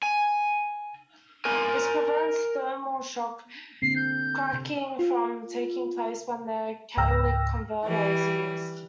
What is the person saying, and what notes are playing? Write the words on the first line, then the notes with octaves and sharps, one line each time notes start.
This prevents thermal shock cracking from taking place when the catalytic converter is used.
G#5
A#4 G#5
D3 A#3 C4 C7
G6
C3
F4
C#2 G#2 G5 E6 F6 A#6
E3 G3